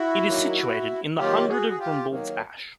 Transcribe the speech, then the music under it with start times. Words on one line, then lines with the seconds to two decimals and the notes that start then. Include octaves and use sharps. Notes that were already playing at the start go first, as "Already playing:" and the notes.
It is situated in the Hundred of Grumbald's Ash.
Already playing: E4 F#4
0.27 D#3 F#3 A#3
1.18 D#3 F#3 A#3 F4 G4
1.49 F#4 G#4
1.70 G#4
1.79 F4 G4
2.09 D#3 F#3 A#3